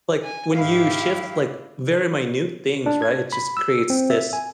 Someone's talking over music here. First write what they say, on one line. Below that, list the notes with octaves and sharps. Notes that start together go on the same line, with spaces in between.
like, when you shift, like, very minute things, right, it just creates this,
G#5
G#2 D#3 E4 G4 F5
D4
G#6
B5
E6
C4
E5
G#5